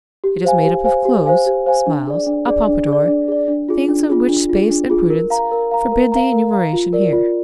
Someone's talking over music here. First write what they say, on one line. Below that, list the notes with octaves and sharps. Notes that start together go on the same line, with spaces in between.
It is made up of clothes, smiles, a pompadour, things of which space and prudence forbid the enumeration here.
G4
C5 F5 G#5
G4
C5 F5 G#5
G4
C5 F5 G#5
G4
C5 F5 G#5
D4
G#4 D5
D4
G#4 D5
D4
G#4
D5
D4
G#4 D5
D4
F4 G#4
D4
F4 G#4
D4
F4 G#4
D4
F4 G#4
A#4
F5 A#5
A#4
F5 A#5
A#4
F5 A#5
A#4
F5 A#5
F4
A#4 D5
F4